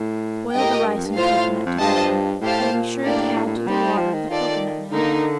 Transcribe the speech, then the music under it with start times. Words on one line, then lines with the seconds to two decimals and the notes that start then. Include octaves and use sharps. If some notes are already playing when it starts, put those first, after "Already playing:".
Boil the rice and cocoanut together, being sure to add to the water the cocoanut milk.
Already playing: A2
0.54 G2 G4 A#4 D#5 G5
0.64 A2
0.75 A#2
0.85 G2
0.96 F2
1.06 G2
1.17 A2 F4 C5 F5
1.66 F2
1.79 G2 F4 C5 D#5 A5
2.41 A2 G4 C5 F5 A5
2.73 A#2
3.04 A2 A#3 D4 G4 A#4 D5
3.35 A2
3.46 A2
3.57 A#2
3.67 G3 C4 D#4 G4 C5
3.98 F3
4.13 D#3
4.29 D#3 F4 A4 D5
4.92 D3 A#3 D#4 A#4